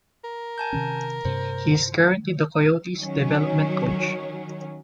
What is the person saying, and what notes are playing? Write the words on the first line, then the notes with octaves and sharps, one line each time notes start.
He is currently the Coyotes' development coach.
A#4
G#5 A5 G6
C3 D#3 C#4
G2 C3 C5
D#3 F#3 C#4